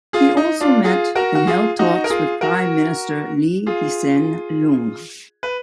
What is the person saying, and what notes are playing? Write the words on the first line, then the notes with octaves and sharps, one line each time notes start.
He also met and held talks with Prime Minister Lee Hsien Loong.
F4 G#4
D#4
D4 F4
F4 G#4
F#4 A#4
F#4
F4 G#4
D#4 F#4
A#4
F4 G#4
F#4 A#4
F4 G#4
B4